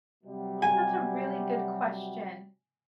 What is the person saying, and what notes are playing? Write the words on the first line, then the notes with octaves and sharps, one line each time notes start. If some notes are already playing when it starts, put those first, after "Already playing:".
Hmm, that's a really good question.
C3 F#3 G3
G#5